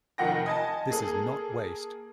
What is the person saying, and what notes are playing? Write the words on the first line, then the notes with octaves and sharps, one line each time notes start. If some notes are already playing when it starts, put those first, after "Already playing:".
This is not waste.
F1 D#3 F3 F#5 G5 A#6
D#5 G#5 A5
A#3 G#4 A4